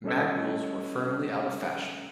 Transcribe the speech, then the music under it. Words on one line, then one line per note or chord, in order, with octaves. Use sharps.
Mag wheels were firmly out of fashion.
G3 C#4 A4 D#5 E6